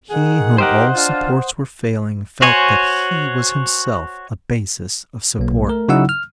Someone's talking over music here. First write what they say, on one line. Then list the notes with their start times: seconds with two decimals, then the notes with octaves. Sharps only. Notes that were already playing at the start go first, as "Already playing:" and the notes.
He whom all supports were failing felt that he was himself a basis of support.
0.11 D#3 G#4 F#5
0.58 D#4 G4 A#4 C5 D#5 F#5
0.94 D4 F4
2.42 F#4 C5 C#5 G#5
5.39 B1 A#3
5.67 A3 A#4
5.89 C#3 F#3 D#4 E4 F#5 E6
6.09 F6